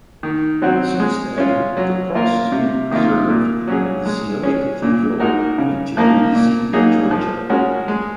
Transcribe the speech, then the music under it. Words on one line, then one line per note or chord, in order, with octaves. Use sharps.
Since then, the cross has been preserved in the Sioni Cathedral in Tbilisi, Georgia.
D#3
F#3 C4 F#4
G#3
C#4 F4
F#3
A#3 F4 A#4
C3
D#3 A#3 F4
A#2
F#3 C#4 G#4
G#3
C#4 G#4
A#2
G#3 D#4 F#4 A#4
C#3
F3 A#3 D#4 A#4
A#2
F#3 A#3 D#4 G#4
F3
G#3 C#4 F#4 A#4
G#3